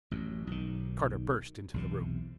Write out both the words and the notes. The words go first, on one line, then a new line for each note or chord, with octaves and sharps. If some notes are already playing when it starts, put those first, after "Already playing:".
Carter burst into the room.
A1 F#2
B1 D#3
B1 E2 C3